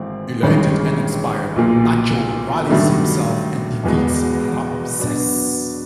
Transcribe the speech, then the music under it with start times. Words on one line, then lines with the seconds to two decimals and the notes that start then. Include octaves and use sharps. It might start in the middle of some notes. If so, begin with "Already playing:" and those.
Elated and inspired, Nacho rallies himself and defeats Ramses.
Already playing: G#1 G#2 E3 A3 C4
0.43 A1 G2 D#3 G#3 C#4
1.56 B1 A#2 F3 A#3
2.70 G2 D#3 F#3 A3 D4
3.84 E1 E2 B2 G#3
4.98 B2 F#3 B3 D4